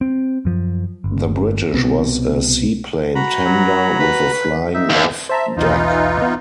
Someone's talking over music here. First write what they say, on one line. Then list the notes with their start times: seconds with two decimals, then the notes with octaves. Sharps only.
The British was a seaplane tender with a flying-off deck.
0.01 C4
0.45 F#2 F3
1.04 G1
1.74 C2 B2 B3 C4
3.15 F#4 A#5 B5
3.45 F#3
4.00 B4
4.74 D#4 E5
4.90 D#2
5.29 C5 E5 A5 A#5
5.57 B1 E2 E3 D#4 F4
6.22 B3